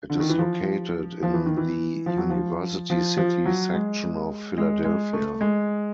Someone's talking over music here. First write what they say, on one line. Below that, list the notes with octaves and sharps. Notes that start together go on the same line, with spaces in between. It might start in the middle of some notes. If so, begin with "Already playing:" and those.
It is located in the University City section of Philadelphia.
D3
D#3
E3
F3
F3
E3
D#3
E3
F3
F#3
F3
F3
F3
F#3
G#3
G#3
G#3
A3
G#3